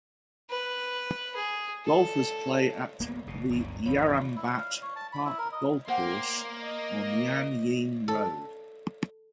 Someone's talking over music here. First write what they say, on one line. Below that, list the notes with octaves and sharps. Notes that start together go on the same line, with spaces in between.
Golfers play at the Yarrambat Park Golf Course on Yan Yean Road.
B4
G#4
A4
D1 A#3 B3
F#1 B2
D1 G1 D3
G#1 E2 F3 C#5 F5 B5
E4
F5
C#5
A5
B5
E4
A#4
D#5
A#3 C5 F#5 G5 C6 D6
D#5
A4